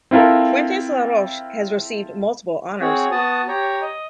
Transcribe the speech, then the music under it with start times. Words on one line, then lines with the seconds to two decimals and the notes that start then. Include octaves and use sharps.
Fuentes La Roche has received multiple honours.
0.11 C4 E4 F4 A4 A#4
2.81 C4 F#4 G#4 C#5
3.12 B3 F#4 A5 D#6
3.48 G4 C#5 A#5
3.82 D#5